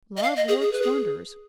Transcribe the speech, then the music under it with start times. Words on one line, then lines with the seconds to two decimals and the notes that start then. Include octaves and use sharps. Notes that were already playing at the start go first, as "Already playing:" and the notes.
Love works wonders.
0.17 D#5
0.23 F5
0.36 D#5
0.48 G#4
0.62 G#4
0.72 B4
0.82 G#4